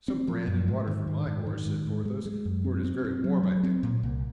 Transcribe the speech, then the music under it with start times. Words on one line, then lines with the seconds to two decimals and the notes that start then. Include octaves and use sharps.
"Some bran and water for my horse," said Porthos, "for it is very warm, I think."
0.08 C4
0.28 F3
0.47 F#2
0.68 G#2
0.87 D#3
1.07 G#2
1.27 G#2
1.47 D#3
1.66 G#2
1.87 G#2
2.05 G#3
2.26 G#3
2.45 F#2
2.65 C4
2.85 C4
3.04 C4
3.24 F#3
3.43 F#3
3.63 C4
3.83 A#2
4.03 C2